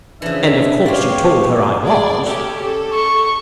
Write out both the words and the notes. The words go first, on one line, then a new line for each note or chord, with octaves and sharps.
"And of course you told her I was."
C#3 E3 F3 D4 E5
G#3 G4 B4 C#5 D5 F5
G#4 D5
C#4 G4 A4
A4
C#6